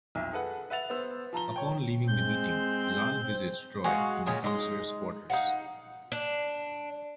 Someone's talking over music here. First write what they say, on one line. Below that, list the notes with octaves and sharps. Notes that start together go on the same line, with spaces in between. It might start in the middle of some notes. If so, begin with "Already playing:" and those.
Upon leaving the meeting, Lal visits Troi in the counselor's quarters.
B1 F2 E5
G#4 A4 B4 F#5
B4 E5 F#5 A6 F7
B3 C5 E6
F3 A5 A#5 G7
C#5 G5
G#3 C4 G6
C5
G#3 F#4 F5
A#2 C#3 G#3 C#4
G#3 D#4
D#4 F5 F#5
D4